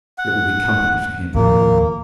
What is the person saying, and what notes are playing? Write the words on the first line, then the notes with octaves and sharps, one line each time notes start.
It will be company for him.'
F#5
D#2 A2 F3 A#3